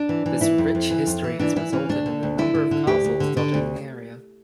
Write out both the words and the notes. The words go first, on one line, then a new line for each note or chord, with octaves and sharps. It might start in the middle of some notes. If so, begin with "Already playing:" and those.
This rich history has resulted in a number of castles dotting the area.
Already playing: D4
E3
E3
E3 E4
F2
F2
E3
F2
E3
E3 D4
E3 E4
E3 C#4
D2 D4
D3
D2
D3 E4
D3
D3
D2 G4
D2
D3
D3
D2